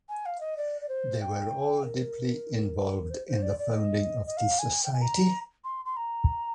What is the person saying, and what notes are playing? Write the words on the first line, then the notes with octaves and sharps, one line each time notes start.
They were all deeply involved in the founding of the society.
G#5
F5
D#5
D5
D5
C5
G5
A#4
C5
C5
D5
D5
D#5
D#5
F5
G#5
G5
G#5
A#5
C6
C6
A#5